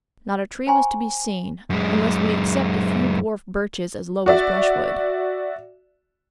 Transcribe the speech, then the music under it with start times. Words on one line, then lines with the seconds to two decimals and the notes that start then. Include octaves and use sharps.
Not a tree was to be seen, unless we except a few dwarf birches as low as brushwood.
0.67 C5 G5 G#5 A#5 C6 C#6
1.70 F#2 G#3
4.26 F#4 D5 E5